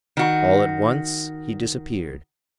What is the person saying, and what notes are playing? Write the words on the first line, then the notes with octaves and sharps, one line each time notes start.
All at once he disappeared.
D#3 F#4